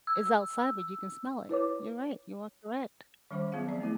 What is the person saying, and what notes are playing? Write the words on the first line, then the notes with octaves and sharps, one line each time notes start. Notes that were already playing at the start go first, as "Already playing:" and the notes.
It's outside, but you can smell it. You're right. You are correct.
E6
E4 B4 C#5 D6
D#3 G3 C#4 C5 C#6 D6
F#3 B3 F4 G#4 E5 F5
F3 C4 D5
A3 A#3 E4 G#4